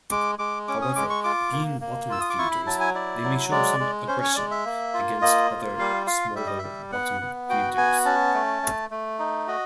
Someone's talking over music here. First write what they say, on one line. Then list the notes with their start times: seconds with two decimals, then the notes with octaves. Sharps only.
However, being bottom feeders, they may show some aggression against other smaller bottom feeders.
0.11 G#3 D6
0.39 G#3 D6
0.68 C#4 D6
0.82 D#6
0.96 G#3 D6
1.10 C#6
1.24 F4 D6
1.52 A#3
1.81 A#3
2.10 F4 E6
2.21 D#6
2.30 D6
2.38 E4 C#6
2.51 B5
2.66 F#3 A5
2.80 G#5
2.94 E4 D5
3.24 F#3
3.51 G#3 D5
3.80 G#3
4.08 C#4 C5
4.23 C#5
4.36 G#3 D5
4.51 E5
4.65 A#3
4.94 F4
5.22 A#3 D#5
5.51 F4
5.79 G3 F5
6.07 F4 F5
6.35 G3 E5
6.47 D#5
6.58 G3 E5
6.92 B3 F#5
7.21 B3
7.50 F#4 G5
7.77 B3 G#5
8.05 C#4 A5
8.34 A3
8.62 A3
8.91 A3
9.19 D#4
9.47 F#4 D#5